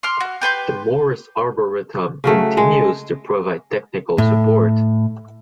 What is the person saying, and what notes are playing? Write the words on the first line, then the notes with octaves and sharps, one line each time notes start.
The Morris Arboretum continues to provide technical support.
C6 D6 F6
F#4
G4 B4 C6 G6
C#3 F#3 A3
G#3
A2